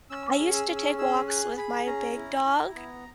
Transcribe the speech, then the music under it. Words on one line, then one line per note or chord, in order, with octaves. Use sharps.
I used to take walks with my big dog,
C#4 E6
E6
G#4
E6
C#4
E6
G#4 E6
G#4 F#6
G#4 B5
C#4 A#5
E4
E4
B3